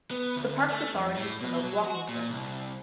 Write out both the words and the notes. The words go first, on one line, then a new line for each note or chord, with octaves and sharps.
The park's authorities promote walking trips.
B3
D2
A3
F2
A2
B2
F#3
F#4
A#2
C2